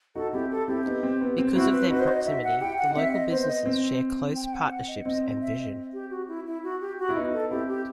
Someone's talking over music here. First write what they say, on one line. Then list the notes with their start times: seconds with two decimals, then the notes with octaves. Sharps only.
Because of their proximity, the local businesses share close partnerships and vision.
0.15 D#4 F#4 A4
0.33 C4 E4 G4
0.51 A4
0.68 C4 E4 G4
0.86 B3 D#4
1.03 C4
1.21 B3
1.38 C4
1.55 C4 E4 F#4
1.73 B4
1.90 D#4 F#4 B4
2.00 C5
2.08 D#5
2.26 D#4 F#4 E5
2.44 F#5
2.61 E4 G4 G5
2.78 F#5
2.90 D#4
2.96 C4 E5
3.13 D#5
3.30 B3 C5
3.48 D#5
3.66 C4
4.35 G5
4.45 G5
4.53 F#5
4.71 F#5
4.88 D#5
5.05 C4 D#5
5.41 E5
5.58 D#5
5.93 G4
6.10 F#4
6.28 E4
6.46 E4
6.64 F#4
6.81 G4
6.99 F#4
7.09 E4
7.16 B3 D#4
7.33 A4
7.51 C4 E4 G4
7.68 G4